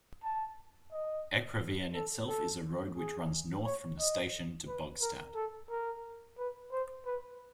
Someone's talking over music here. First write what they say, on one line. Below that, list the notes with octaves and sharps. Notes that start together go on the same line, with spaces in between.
Ekraveien itself is a road which runs north from the station to Bogstad.
A5
D#5
A4
A4
G#4
C#5
D#5
B4
A#4
A4
A#4
B4
C5
B4